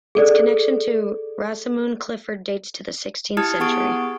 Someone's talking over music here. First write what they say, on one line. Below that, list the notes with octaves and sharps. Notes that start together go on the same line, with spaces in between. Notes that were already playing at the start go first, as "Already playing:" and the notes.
Its connection to Rosamund Clifford dates to the sixteenth century.
G#4 A4 D5
E4 G4 A5 D#6 F6 G#6
B3 G#4 F#5 C#6 D#6 D7